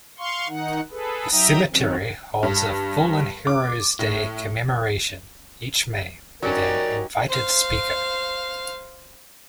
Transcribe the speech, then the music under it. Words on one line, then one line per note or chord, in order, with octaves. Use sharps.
The cemetery holds a "Fallen Heroes Day" commemoration each May with an invited speaker.
F5 C6 C#6
D#3 D#4 F#5
G#4 A4 B4
F#3 D#4 E5 G5 A#5 D#6
D#3 F#3 C4 C#4
G2
D6
A2
F#3 C#4 D#4 G4 A#4 D5
C5 F5